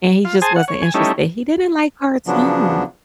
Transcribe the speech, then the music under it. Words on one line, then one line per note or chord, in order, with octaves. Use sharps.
and he just wasn't interested, he didn't like cartoons.
F4
G#4 C5 G#5 A5 D#6
F#5
C#5
G#5
G3 A3 C#4 D#4 E4
C#3 F3 F#3 B3 D4